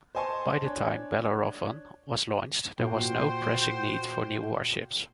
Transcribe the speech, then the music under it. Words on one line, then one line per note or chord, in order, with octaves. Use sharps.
By the time "Bellerophon" was launched, there was no pressing need for new warships.
C5 D#5 G#5 A5 C6 C#6
D4 C#5
A#2 F#4 C5 G5